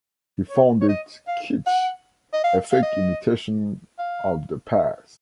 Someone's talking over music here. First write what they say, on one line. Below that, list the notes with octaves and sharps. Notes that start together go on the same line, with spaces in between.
He found it "kitsch, a fake imitation of the past".
C#5
C#5
D#5
F5
F#5
D#5
F5
F5
D#5
F5